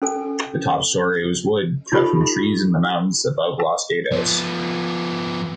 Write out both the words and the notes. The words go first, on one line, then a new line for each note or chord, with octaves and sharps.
The top story was wood, cut from trees in the mountains above Los Gatos.
C#4 A4 G#5
D#4 F4 G4 A4 B5
F3 B3